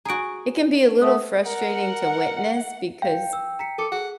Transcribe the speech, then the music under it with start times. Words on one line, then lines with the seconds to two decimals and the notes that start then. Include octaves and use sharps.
it can be a little frustrating to witness because,
0.05 F#4 G#4 A#5 D7
1.02 A3 F#5 D#6
1.46 A#4 F#5
3.02 F5 G5
3.33 E6
3.59 A#5 B6 C#7
3.78 A4 A#4 D6 C#7
3.92 G#4 F#5